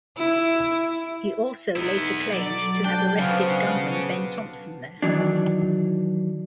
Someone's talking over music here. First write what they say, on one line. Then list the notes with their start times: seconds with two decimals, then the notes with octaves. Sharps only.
He also later claimed to have arrested gunman Ben Thompson there.
0.17 E4
1.76 B1 B3 E4
2.33 F#3 A4 D5
2.84 D4 G5
3.18 C#3 B3 C5 F5
5.02 D#3 E3 F#3 D4